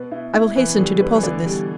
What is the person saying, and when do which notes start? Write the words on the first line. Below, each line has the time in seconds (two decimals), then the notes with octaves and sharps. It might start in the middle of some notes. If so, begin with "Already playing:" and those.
I will hasten to deposit this.
Already playing: B2 B4
0.11 B2 E4
0.34 E4
0.56 E3 B4
0.69 B2
0.79 D3 G3
1.00 D3 B4
1.15 E3
1.23 D3 D5
1.45 B2 G3